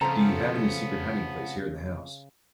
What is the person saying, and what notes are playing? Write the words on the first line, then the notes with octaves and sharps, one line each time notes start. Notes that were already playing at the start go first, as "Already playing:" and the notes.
Do you have any secret hiding place here in the house?
C#3 F3 A3 B3 C4 A4 A#5